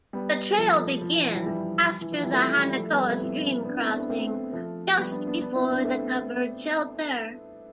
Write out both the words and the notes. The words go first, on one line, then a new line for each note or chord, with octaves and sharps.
The trail begins after the Hanakoa stream crossing, just before the covered shelter.
G3 B3
F3 A3
F3
E3
F3
E3 G3
E3 G3
E3
F3
E3 G3
F3 A3
E3 G3
F3 A3
G3 B3
A3 C4
C4 E4
B3 D4
C4 E4
B3 D4
A3 C4
A3 C4
F3 A3
G3 B3
B3 D4
B3 D4
B3 D4
C4 E4
B3 D4
A3 C4